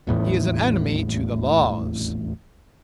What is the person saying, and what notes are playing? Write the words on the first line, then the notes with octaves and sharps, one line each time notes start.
He is an enemy to the laws.
D#1 A1 E2 A2